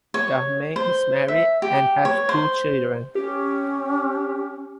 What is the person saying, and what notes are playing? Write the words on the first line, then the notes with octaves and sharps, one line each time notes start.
Dahmen is married and has two children.
C#5
C5
E5
G4
C#5
C5
C#4 G4